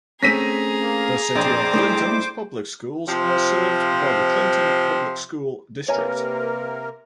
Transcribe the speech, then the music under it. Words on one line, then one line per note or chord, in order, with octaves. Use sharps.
The City of Clinton's public schools are served by the Clinton Public School District.
A3 C4 C#4 G#4 A#5 A#6 B6 D#7
A#3
A#1 F2 C5 D#5 D6
A3 D#4 E4
C3 F3
C3 A#3 A#4 B4 C#5 G#5 A#5